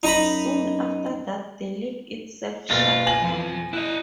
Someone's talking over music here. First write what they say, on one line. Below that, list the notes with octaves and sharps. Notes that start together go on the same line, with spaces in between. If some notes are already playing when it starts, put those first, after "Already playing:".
Soon after that the league itself shut down.
F#2 D#4 A#5 B5
F#1 B2 F4 F6 A6
G#5 A#6 F#7
F2 F3
E4 D#5 F#6